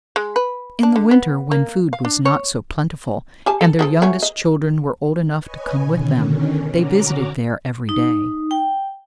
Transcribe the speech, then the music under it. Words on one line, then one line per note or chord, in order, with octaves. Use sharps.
In the winter, when food was not so plentiful and their youngest children were old enough to come with them, they visited there every day.
G#3
B4
D4
D3
B3
A#3
F5
D4
C#5
G4 G#5 A5
A4
F3 G#4 A4
F#3 A3 C#4
D#5
B4 C#5 D#5 G#5
B2 D3 D#3 C#4
D3 C#4 F#4 A#5 D6
D#4
G5